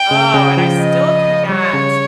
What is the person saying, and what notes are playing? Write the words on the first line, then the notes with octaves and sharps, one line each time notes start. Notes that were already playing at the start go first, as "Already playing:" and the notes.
Oh, and I still cannot,
Already playing: G5
C#3
C#3
F3
D#5
G3 C#5
C#3